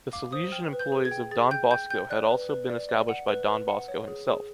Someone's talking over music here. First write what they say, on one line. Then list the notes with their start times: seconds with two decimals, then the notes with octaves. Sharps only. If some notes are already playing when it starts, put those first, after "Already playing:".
The Salesian employees of Don Bosco had also been established by Don Bosco himself.
0.13 F5 D6
0.32 C5 D#6
0.52 G5 F6
0.73 B4
0.79 G6
0.92 G#4
1.05 G#6
1.11 G5
1.31 G#4 A6
1.51 G5 G6
1.71 G5 G6
1.90 G5 G6
2.10 D5 F#6
2.31 B4
2.50 B4
2.70 D5
2.89 D5
3.09 F#5
3.29 B4
3.48 B4
3.68 F#5
3.88 C#5
4.08 G#4
4.28 G#4